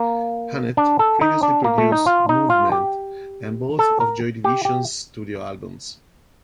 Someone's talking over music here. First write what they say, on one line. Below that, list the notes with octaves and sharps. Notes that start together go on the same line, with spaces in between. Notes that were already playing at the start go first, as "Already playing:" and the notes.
Hannett previously produced "Movement" and both of Joy Division's studio albums.
Already playing: A#3
D4
A4
D#4
D4
A#3
A3
D#4
F4
D#4
F4
G4
A4
A#4
G4
G4